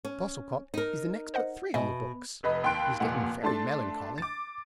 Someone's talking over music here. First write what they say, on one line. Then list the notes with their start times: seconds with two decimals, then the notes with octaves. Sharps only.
Postlecott is the next but three on the books, and is getting very melancholy.
0.05 C#4
0.74 D#4 A#4
1.34 C5 D#5 F#5
1.74 B2 D#5 E5 G#5
2.43 F1 B4 D#5 B5
2.64 D#2 G5 B5 C6 F#6 D7
3.00 F1 D#2 A#2 F#5
3.43 A3 D4 A5 C6 A6
4.18 D6 A6